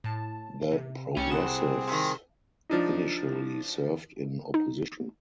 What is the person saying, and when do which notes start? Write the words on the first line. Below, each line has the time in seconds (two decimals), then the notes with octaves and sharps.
The Progressives initially served in opposition.
0.04 A2 A5
0.71 C3
1.17 C2 G3 C#4 C#7
1.30 C2 C4 G#4 F#5 E7
1.87 C3 D#3
2.69 F3 D4 D#4
4.54 D#4